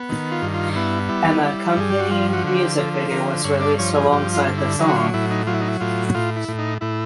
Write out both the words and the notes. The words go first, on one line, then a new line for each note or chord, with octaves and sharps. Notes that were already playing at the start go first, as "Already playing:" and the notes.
An accompanying music video was released alongside the song.
Already playing: B3
D#3
F4
G2
F4
B3 E4
G3 E4
G3
G2 G#4
G4
F#4
F3 F4
F#4
D3 F#4
G4
F3 A4
A4
D3 A#4
G2 C#5
D5
F3 C#5
G#4
G2 G4
F4
D3
E4
F#3 D#4
F#4
F4
A2 E4
D#4
F#3 F4
E4
D#4
E4
A2 F4
A2 F4
E4
A2
D#4
A2 E4